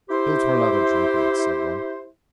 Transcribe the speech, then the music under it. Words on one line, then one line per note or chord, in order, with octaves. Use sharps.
"He'll turn out a drunkard," said one.
E4 G4 C5